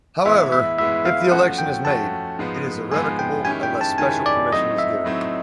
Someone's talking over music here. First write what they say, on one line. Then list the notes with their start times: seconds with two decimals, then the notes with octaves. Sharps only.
However, if the election is made, it is irrevocable unless special permission is given.
0.25 A2 E3 G#3 B3 E4 E5
0.52 E5
0.78 A2 E3 G#3 B3 E4 E5
1.06 F5
1.32 F3 A3 C#4 F#4 F#5
1.58 G5
1.85 F3 A3 C#4 F#4 A5
2.39 G#2 F3 G#3 B3
2.91 G#2 F3 G#3 B3 G#5
3.19 G5
3.45 D#3 G#3 C#4 E4 G4 G#5
3.63 G5
3.81 A5
3.98 D#3 G#3 C#4 E4 G4 G#5
4.26 D5
4.52 A2 F#3 A3 C4 D#4 D#5
4.79 E5
5.05 A2 F#3 A3 C4 D#4